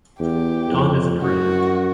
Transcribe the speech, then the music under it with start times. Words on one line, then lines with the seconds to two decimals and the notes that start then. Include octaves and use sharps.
Tom isn't grieving.
0.20 E2 G4
0.71 F2
1.22 F#2 F#4